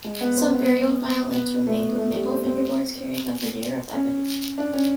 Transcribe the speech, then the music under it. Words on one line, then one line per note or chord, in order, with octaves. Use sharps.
Some very old violins were made with maple fingerboards, carrying a veneer of ebony.
G#3
B3
C4
B3
B3
A3
A3
G3
C4
C4
C#4
D4
C#4